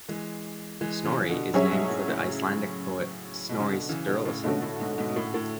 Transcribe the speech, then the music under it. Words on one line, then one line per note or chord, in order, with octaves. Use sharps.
Snorri is named for the Icelandic poet Snorri Sturluson.
E3 G#3
E3 G#3
C#3 E3
B2 D3
F#3 C#4 G#4 C#5 E5
G#2 B2
A2
A2 C#3
B2
C#3
B2 D3
C#3 E3
B2 D3
A2 C#3
G#2 B2 D3 A3 C#4 F#4 A4
A2
G#2 B2
G#2 B2
B2
A2
A2